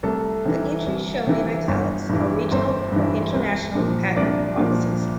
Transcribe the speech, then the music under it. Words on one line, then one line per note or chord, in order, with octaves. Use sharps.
The entries shown in italics are regional or international patent offices.
C2 A3 A4
C3 E3
C2
C3 E3
G1
G2 E3
G1 C4 C5
G2 E3
C2
A#2 F3
C2 D4 D5
A#2 F3